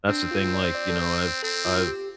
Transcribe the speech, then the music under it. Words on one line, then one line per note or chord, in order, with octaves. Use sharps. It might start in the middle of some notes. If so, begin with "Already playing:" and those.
that's the thing, like, you know, I've I've
C4 D4
F4
D5
C5
D5
A4
C5
C4 A4
F4
G4